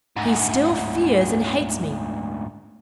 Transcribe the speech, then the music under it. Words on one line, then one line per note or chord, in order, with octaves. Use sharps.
He still fears and hates me.
D2 G#2